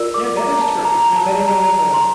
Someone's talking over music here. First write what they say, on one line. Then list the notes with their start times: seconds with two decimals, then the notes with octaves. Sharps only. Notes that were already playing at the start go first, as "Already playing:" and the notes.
Yeah, that is true, you know, that is always, uh,
Already playing: F4 A#4 D5 E6
0.14 D6
0.37 A#5
0.61 A5
0.85 A#5
1.16 A5
1.48 A#5
1.79 A#5
1.94 C6